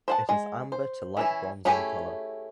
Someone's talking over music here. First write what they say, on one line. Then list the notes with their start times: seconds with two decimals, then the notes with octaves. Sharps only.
It is amber to light bronze in colour.
0.08 C5 F#5 A5
0.29 G#3
0.72 C5
1.17 E3 C#4 E4
1.65 A3 C#4 E4 G4 G#4